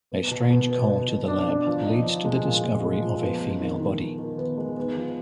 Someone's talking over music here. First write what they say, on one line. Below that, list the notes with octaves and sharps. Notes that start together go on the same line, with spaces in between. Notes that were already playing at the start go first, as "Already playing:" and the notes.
A strange call to the lab leads to the discovery of a female body.
B3
B2
B2
B3
B3
B2
D4
D4
F3
D#4
F3
G#3
A#2
A#2
G#3
F3
B3
G#3
D#3
D#3
D#3
D#3
B3
G#3
B3
F3